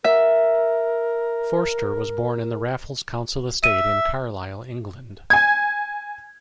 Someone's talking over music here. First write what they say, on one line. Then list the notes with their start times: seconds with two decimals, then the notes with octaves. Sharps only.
Forster was born in the Raffles council estate in Carlisle, England.
0.04 A#4 E5
3.64 E5 D#7
5.30 G#5 G#6